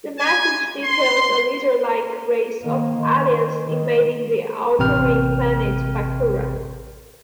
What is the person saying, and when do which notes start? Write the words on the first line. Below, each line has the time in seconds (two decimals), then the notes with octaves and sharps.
The message details a lizardlike race of aliens invading the Outer Rim planet Bakura.
0.17 G#5
0.83 C6
2.63 D#3 A#3
2.98 D#3
3.66 D#3
4.79 A1 C3 G5 F6